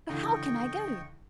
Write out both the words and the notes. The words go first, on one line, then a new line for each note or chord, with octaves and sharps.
But how can I go?
C#2 D3 E3 D#5 G5 C#6